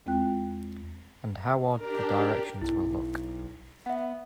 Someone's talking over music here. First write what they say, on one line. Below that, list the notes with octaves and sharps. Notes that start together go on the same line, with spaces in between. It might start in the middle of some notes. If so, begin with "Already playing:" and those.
And how odd the directions will look!
E2 G#3 C4 F4 G5 F#6
D4 G4 A#4
B1 E4
B3 E5 F#5